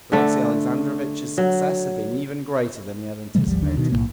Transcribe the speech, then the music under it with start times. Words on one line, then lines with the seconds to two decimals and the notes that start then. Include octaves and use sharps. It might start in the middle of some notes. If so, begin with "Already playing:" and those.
Alexey Alexandrovitch's success had been even greater than he had anticipated.
0.12 D3 A3
1.38 F#3
3.35 C3 E3 G3 A3
3.47 G#1 D2 F3 G3
3.63 D#2 D3
3.77 B2 D#3
3.92 B1 F#2 A2 A#3